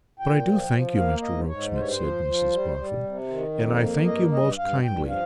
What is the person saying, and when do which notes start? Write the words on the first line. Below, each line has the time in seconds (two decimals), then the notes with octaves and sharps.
'But I do thank you, Mr Rokesmith,' said Mrs Boffin, 'and I thank you most kindly.
0.19 A#2 G5
0.44 F3
0.70 F3
0.96 A#3 F5
1.22 G#2 D#5
1.48 G#2 C#5
1.73 G2 C5
1.81 C#5
1.88 C5
1.99 F3
2.25 F3
2.51 G3
2.77 G3
3.03 C3
3.28 D#3
3.54 F2
3.80 A#3
4.05 G2 D#5
4.31 G2 D#5
4.58 G2 F5
4.83 G2 G5
5.09 F3 F5